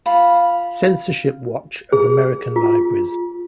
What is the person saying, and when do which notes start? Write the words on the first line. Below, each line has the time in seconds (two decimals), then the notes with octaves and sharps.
Censorship Watch of American Libraries.
0.06 F4 B5
1.92 G#4
2.56 F4